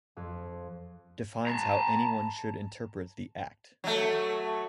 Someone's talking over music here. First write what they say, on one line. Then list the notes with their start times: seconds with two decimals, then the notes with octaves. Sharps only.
Defines how anyone should interpret the Act.
0.17 F2
1.47 A5 A#5
3.84 F#3 A3